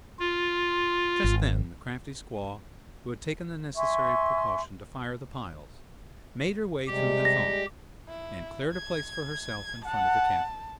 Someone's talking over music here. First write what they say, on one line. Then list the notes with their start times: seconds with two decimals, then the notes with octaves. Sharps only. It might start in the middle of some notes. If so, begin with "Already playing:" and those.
Just then the crafty squaw, who had taken the necessary precaution to fire the piles, made her way through the throng, and cleared a place for herself in front of the captive.
0.19 F4
1.24 G#1
3.76 E5 G#5 C6 C#6
6.87 C3 G3 G#3 G4
7.25 A#6
8.08 E4
8.72 G#6
9.85 F#5 A5